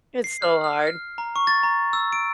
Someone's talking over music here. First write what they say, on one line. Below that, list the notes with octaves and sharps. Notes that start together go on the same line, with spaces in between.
It's so hard.
C7
F6
F6
F6
A#5
C#6
A6
A#5
E6
D7